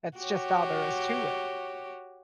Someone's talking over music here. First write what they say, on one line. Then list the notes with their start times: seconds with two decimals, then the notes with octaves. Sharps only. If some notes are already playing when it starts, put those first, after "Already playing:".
That's just all there is to it.
0.17 F#4 G4 C#5